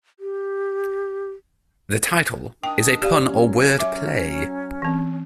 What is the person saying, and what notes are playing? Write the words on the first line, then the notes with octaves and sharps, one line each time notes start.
The title is a pun or word play.
G4
D#3 D4 G5 D#6
G4 D5 F5
F#3 C#4
E5 D6
E3 C4